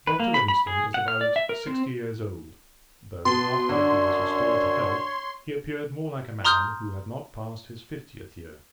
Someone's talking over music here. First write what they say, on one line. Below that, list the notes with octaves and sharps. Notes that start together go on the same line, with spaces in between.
Dr. Livingstone is about sixty years old, though after he was restored to health he appeared more like a man who had not passed his fiftieth year.
B4
A#3
B5
B5
G#4
F#5
F6
D5
E5
A#4
C4
B2 A5 C6
F#2 D3 D4 C#5 D5
A#5 C6 D#6 F6 G6